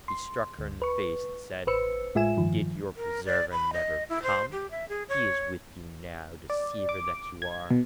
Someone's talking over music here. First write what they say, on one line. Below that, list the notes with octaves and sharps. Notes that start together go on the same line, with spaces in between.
He struck her in the face, and said, 'Did your preserver never come? He is with you now, deceiver that you are.
C6
D2
B4 C#6
A1 B4 C5 E6 C#7
A2 G#3 F4 E5 G#5 E7
G2 D#3 F3
A#4
D5
B5
D#5
E4
C5
G4
E5
G#4
C#5
D5
D6
G#6
B2